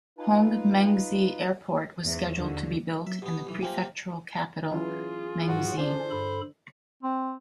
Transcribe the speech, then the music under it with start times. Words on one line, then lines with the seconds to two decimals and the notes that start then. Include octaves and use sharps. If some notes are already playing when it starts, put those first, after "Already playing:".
Honghe Mengzi Airport was scheduled to be built in the prefectural capital Mengzi.
0.18 D#4 F4 B4
2.01 E2 G#2
2.37 D#2 D3 F#4
3.07 F#3 E5
3.22 B2 B3 G4
3.47 B1 E3
3.61 C3 A#3 C4 F4 G#5
4.71 E3 F#3 C#4 F4 G#4
5.48 G#2 E3 F#3 F#4
5.78 D3 C#4 D4 C5
6.11 G2 A4 B5
7.03 C4